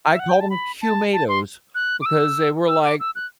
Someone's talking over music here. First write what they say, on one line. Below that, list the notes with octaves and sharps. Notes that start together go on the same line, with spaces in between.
I called 'em "Cumatoes" because they were like
E5
F#5
G5
A5
B5
A5
A5
C6
F#6
D6
E6
E6
D6
E6
F#6